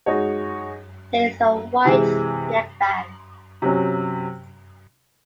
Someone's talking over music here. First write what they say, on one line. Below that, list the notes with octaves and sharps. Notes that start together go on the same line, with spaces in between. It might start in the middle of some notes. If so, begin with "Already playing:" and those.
There is a white neckband.
G#3 D#4 F#4 C#5
C3 E3 G#3
C3 F#3 C#4